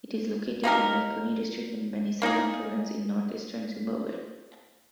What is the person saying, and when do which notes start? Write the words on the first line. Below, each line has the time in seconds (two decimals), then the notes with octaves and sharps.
It is located in Makoni District in Manicaland Province, in northeastern Zimbabwe.
0.64 A#3 D#4 G4 A#4
2.22 A#3 D#4 G#4